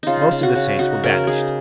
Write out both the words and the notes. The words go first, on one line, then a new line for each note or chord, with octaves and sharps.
Most of the saints were banished.
C#3 D#4 F4
C#3
F#4
C#3
D#4 F#4
C#3 A#4
D#4 G#4